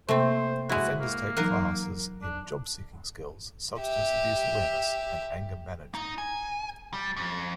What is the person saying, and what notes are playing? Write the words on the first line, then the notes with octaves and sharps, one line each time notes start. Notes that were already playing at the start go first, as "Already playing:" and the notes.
Offenders take classes in job-seeking skills, substance-abuse awareness and anger management.
C3 A3 A#3 C4 C5
G#3 E4 F#4
A#3
E3 F#3 D#4 A#4 F5 F#5
D4
G4 E5
D#4
G#5
G3
F2